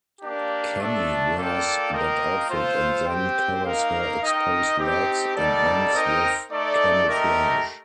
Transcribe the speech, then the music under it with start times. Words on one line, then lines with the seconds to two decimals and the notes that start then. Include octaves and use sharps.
Cammy wears that outfit and then covers her exposed legs and buns with camouflage.
0.21 A#3 D4 G4
0.78 A3 D4 A4
1.35 A#3 F4 A4 D5 G5
1.92 A#3 F4 A#4 D#5 G5
2.49 F4 A4 C5
3.06 C4 G4 C5 G5
3.63 A#3 D#4 A#4 F5
4.21 D#4 A#4 D#5 G5
4.77 C4 D#4 G4
5.34 G3 A#3 D#4 A4 D5
5.91 C4 D#4 A#4 D#5 G5
6.49 A3 D#4 A4 D5
7.05 A3 D#4 G4 A#4 D#5